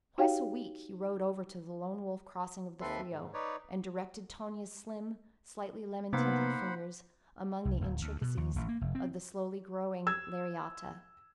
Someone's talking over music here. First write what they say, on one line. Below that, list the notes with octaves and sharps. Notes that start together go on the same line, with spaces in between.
Twice a week he rode over to the Lone Wolf Crossing of the Frio, and directed Tonia's slim, slightly lemon-tinted fingers among the intricacies of the slowly growing lariata.
D#4 F#4 G4 C#5 F5 G5
D#2 C4 A4 B4 E5 C6
G#2
D#4 B4 C#5 D5
C3 A#3 B3 D#4 C5 F#5 B5 D6
C2
D1
D2
B2
D#2
A1
A#3
F1
C4
E6 G#6